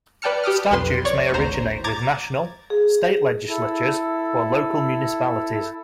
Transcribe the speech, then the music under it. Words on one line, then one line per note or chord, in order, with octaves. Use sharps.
Statutes may originate with national, state legislatures or local municipalities.
B4 D5 G5 A5 F6 C#7
G4 D6 D#6 F6
B1 F2 B4 C6
C#5 D5
G#1 D2 C5 A#5
A#5 D6 G#6 A6
G#4
E4 A4